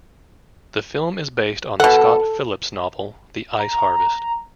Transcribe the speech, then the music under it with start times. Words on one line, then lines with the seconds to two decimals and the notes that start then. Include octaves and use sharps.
The film is based on the Scott Phillips novel "The Ice Harvest".
1.80 B2 A4 F#5
3.59 A#5